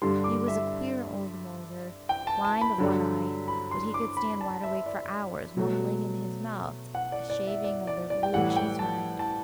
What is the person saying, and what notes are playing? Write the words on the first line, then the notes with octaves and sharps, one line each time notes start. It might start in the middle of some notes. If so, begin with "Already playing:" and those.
He was a queer old Mulgar, blind of one eye, but he could stand wide awake for hours mumbling in his mouth a shaving of their blue cheese-rind.
G2 D3 G3 C6
D6
E5
G5
A5
A5
B5
G2 D3 F#3
B5
C6
D6
B5
A5
E5
D5
B2 F#3 A3
F#5
D5
D5
E5
D5
D5
D5
G5
A2 E3 G3 F#5
G5
A5
A5